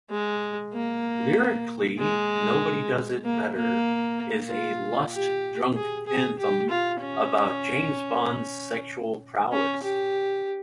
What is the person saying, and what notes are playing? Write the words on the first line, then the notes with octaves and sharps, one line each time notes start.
Lyrically, "Nobody Does It Better" is a "lust-drunk anthem" about James Bond's sexual prowess.
G#3
A#3
G#3
A#3
A#3
F4
G4
G#4
G#4
G4
F4
C#4
C#4
G4